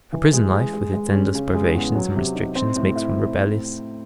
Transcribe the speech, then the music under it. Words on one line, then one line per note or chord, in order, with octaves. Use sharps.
For prison life with its endless privations and restrictions makes one rebellious.
E3
G#3
G#3
G#3
G#3
C#4
C#3
G#3
E2
F#3
C3
D#4
C4
A2
E4